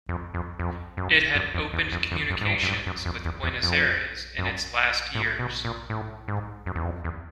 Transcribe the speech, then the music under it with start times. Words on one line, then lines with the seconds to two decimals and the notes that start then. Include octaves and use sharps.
It had opened communications with Buenos Aires in its last years.
0.09 F2
0.34 F2
0.59 F2
0.97 F#2
1.35 F#2
1.54 F2
1.74 E2
1.92 F2
2.11 F2
2.30 F#2
2.41 G#2
2.49 G2
2.63 F#2
2.68 G2
2.86 F#2
3.05 F2
3.25 E2
3.43 E2
3.63 F2
4.38 F#2
5.15 A2
5.39 B2
5.65 A#2
5.90 A2
6.28 G#2
6.66 F#2
6.76 E2
6.85 F2
7.04 E2